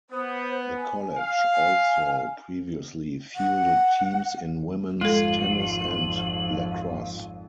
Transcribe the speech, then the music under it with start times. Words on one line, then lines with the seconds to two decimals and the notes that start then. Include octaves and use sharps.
The college also previously fielded teams in women's tennis and lacrosse.
0.10 B3 C5
0.76 G#5
1.17 F5
1.53 G#5
3.36 F#5
5.01 G#1 F2 G#3 F4 A4 F#7